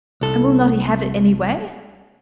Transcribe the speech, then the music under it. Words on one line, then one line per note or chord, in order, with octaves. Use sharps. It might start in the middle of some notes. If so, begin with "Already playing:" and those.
"And will not he have it any way?"
C2 A4